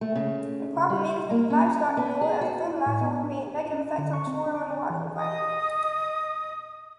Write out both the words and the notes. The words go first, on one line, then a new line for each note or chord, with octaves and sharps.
Improper management of livestock manure as a fertilizer would create negative effects on the soil and water environment.
A3
C#3
G3
A#3
C#4
B3
G#4
F#4
E4
A2
B3
D4
C#4
D3
C#6
C4
D4
D5
E3
D#5 D#6